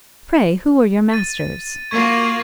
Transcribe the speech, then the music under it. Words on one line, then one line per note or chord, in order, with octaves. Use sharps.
Pray who were your masters?'
A6 D#7
A#3 F4 F#4 C#6 G#6 D#7